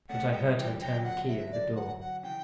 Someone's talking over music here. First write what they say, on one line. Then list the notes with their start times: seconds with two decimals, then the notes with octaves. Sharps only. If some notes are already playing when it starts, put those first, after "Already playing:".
But I heard her turn the key of the door.
0.09 A3 C#4 F#5
0.25 A3
0.32 G3 B3 G5
0.56 E3 G3 G5
0.81 D3 F#3 G5
1.04 F#5
1.28 E5
1.52 D5
1.76 F#5
2.00 F#5
2.23 C#3 E3 G5